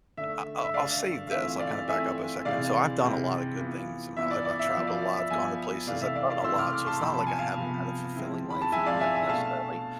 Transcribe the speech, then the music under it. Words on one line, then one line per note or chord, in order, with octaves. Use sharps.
I I I I'll I'll say this, I'll kinda back up a second. So, I've done a lotta good things in my life. I've traveled a lot, I've gone to places, I've done a lot, so it's not like I haven't had a fulfilling life, n necessarily,
D3 A3 D4 E5
E5
D3 A3 D4 D5 F5
F5
E3 A3 C4 F4 E5
D5 F5
E3 A3 C4 F4 E5 G#5
C3 E3 G#3 C4 E4 D5 F5
C3 E3 G#3 C4 E4
E3 B3 F4
E3 B3 F4 E5
D5
D5
E5
F5
F3 B3 F4 E5
D5 F5
D5
E5
F3 B3 F4 E5 G#5
C3 E3 A3 E4 D5 F5
E5
D5 F5
D5 F5
C3 E3 A3 E4 C6 E6
D6 F6
D6 F6
A5 C6
C3 F3 B3 B5
A5
G#5
F5 A5
C3 F3 B3
F3 G#3 C4 E4
B5
A5
F3 G#3 C4 E4 E5 G#5
D5 F5
E5 G#5
E5 G#5
B2 A3 D4 F5 A5